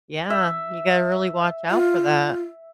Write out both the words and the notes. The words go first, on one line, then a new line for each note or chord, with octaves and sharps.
yeah, you gotta really watch out for that.
E5
F4